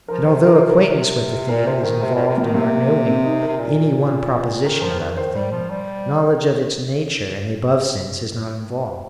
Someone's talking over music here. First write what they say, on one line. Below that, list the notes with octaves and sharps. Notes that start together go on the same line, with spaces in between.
And although acquaintance with a thing is involved in our knowing any one proposition about a thing, knowledge of its 'nature', in the above sense, is not involved.
F3 A#4
C3 C5
A#4
C5
A#4
A#2 A#4
C3 C5
D#3 A#4
C3 C5
A#2 A#4
C3
D#3 A#3
C3 A#3
C4
D#4
A#4
C3
A#2
D#3 A#4
F3 A#4
D#3 A#4
D#3 C5
G3
F3
G3